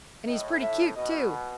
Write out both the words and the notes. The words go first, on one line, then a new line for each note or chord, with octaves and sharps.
And he's pretty cute, too.
A2 D#5
E5
B2 D#5